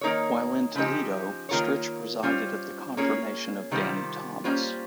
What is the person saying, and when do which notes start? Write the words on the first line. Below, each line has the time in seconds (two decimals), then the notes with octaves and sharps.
While in Toledo Stritch presided at the confirmation of Danny Thomas.
0.01 D#3 A#3 D#4 A#4 C#5
0.76 C#3 F3 C4 D#4 G4
1.49 D#3 A#3 F4 A#4 C#5
2.23 G3 C#4 F4 C5
2.97 A#3 C#4 F4 G#4 C#5
3.71 C3 D#3 G3 C4 F4
4.44 G3 A#3 C#4 F4 C5